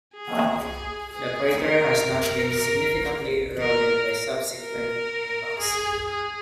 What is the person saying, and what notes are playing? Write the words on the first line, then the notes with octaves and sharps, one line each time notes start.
The crater has not been significantly eroded by subsequent impacts.
G#4
G#4
G#4
A#4
A#4
A#4
A#4
G#4
G#4